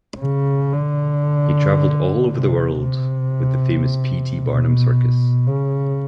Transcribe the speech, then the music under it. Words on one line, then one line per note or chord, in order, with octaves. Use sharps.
He traveled all over the world with the famous P. T. Barnum circus.
C#3
D3
C3
C3
B2
C#3